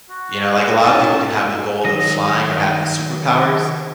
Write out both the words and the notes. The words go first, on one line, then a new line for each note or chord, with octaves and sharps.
You know, like, a lot of people can have the goal of flying or having superpowers,
F#4
C#4 D#4 G5 A5 C#6
D#3 F#3 D#5